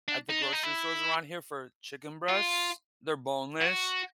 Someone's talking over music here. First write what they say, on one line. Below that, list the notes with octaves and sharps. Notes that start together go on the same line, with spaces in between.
at the grocery stores around here for chicken breasts. They're boneless.
D4
D#4
D4
D#4
E4
F4
F#4